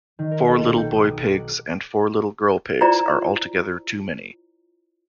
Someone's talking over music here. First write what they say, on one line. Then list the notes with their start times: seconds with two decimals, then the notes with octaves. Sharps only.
Four little boy pigs and four little girl pigs are altogether too many.
0.19 D#3
0.31 A#4
0.48 B1
0.61 A4
0.78 G5
0.96 D#6
1.11 D6
1.32 F#6
2.81 E4 F4 C5 D5 A#5